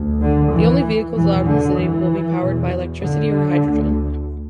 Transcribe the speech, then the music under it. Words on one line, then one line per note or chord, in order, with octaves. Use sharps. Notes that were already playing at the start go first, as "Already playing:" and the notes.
The only vehicles allowed in the city will be powered by electricity or hydrogen.
Already playing: D2
D3
E3
E2 B2 E3
D3
E3
E2 B2
D3
D2